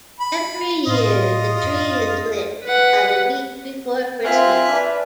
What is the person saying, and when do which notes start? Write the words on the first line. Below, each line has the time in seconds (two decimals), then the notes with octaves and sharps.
Every year, the tree is lit about a week before Christmas.
0.20 B5
0.87 A2 F4 D#5
1.63 F#2
2.64 B4 F#5
4.25 C4 F4 E5 G#5 F6 F#6
4.69 D4 B4